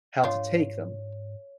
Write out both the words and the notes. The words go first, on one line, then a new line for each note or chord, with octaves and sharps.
how to take them.
G#2 F3 D4 F4 C#5